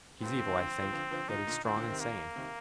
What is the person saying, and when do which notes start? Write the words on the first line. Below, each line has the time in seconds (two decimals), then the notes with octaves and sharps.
"He's evil, I think, yet he's strong and sane."
0.22 G2 A#2 C4
0.34 A#2 D3
0.45 C3 D#3
0.57 D3 F3
0.81 D3 F3
0.93 D3 F3
1.11 D3 F3
1.28 A#2 D3 D#4
1.47 A#2 D3
1.64 A#2 D3 C4
1.76 A#2 D3
1.88 C3 D#3
2.00 A#3
2.36 C3 D#3